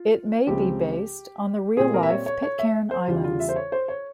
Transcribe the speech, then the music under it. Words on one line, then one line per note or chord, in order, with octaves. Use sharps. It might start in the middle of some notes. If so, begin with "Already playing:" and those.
It may be based on the real-life Pitcairn Islands.
Already playing: F4
C#2 C#3 F3 C4 G4
A#2 G3 C4 G#4
A#4
E5
C#5
C#5
C#5
E5
C5
E2 C#3 G3 F4
F4
E5
C5
C#5
C5
C#5